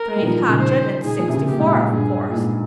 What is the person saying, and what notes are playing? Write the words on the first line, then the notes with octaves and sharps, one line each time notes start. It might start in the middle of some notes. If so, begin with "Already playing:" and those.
'Three hundred and sixty-four, of course.'
Already playing: A#4
G3
D#3
F3
F3
C#3
D#3 C5
D#3 G#4
F3
C3
C#3
A#2 G4
G#2
A#2
A#2
G2 G#4
A#2
G#2